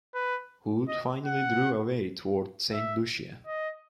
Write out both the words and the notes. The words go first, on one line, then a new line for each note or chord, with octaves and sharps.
Hood finally drew away toward Saint Lucia.
B4
D#5
F#5
E5
D#5